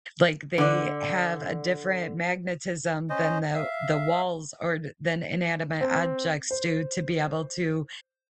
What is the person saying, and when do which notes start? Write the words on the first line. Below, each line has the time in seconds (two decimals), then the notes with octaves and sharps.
Like they have a different magnetism than the the walls or than inanimate objects do to be able to
0.58 D3 D5
3.10 C#4 C5 D#5
3.54 E5 F5
5.81 C4
6.51 C5